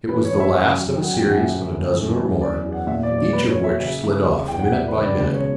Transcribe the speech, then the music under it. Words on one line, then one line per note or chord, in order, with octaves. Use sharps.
It was the last of a series of a dozen or more, each of which slid off minute by minute.
E3 B4
C#5
G2
E5
F#2
F#3
G5
F#2 F#5
G5
F#2 F#5
E5
D2
D2
F#2
F#2
E2 D5
E2
F#5
A#2 E5
D5
F#3
D5
F#3 B4
C#5
F#3
E5
C#3 E5
C#3
G3
E2 G5
F#5
G3 E5
B4
C#3
D5
C#2 B4
C#5
B2